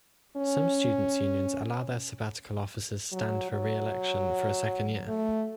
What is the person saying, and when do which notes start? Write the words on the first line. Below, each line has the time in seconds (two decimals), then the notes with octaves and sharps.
Some students' unions allow their sabbatical officers stand for re-election for a second year.
0.36 C#4
3.12 F#3
3.51 F#3
5.08 A3